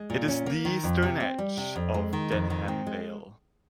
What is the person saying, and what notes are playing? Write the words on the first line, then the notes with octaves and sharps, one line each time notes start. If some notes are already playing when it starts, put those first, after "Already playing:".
It is the eastern edge of Dedham Vale.
Already playing: G#3
A#2
C#4
A#3
D#3
F2
C3
C4
G3
C3
F2
G#3
D#3
F2
D#3
C4
G#3